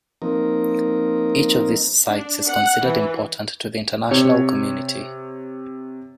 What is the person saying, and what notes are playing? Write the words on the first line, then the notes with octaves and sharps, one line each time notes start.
Each of these sites is considered important to the international community.
F3 A#3 C4 D#4 A#4
D4
F#5
E3
C3 C#5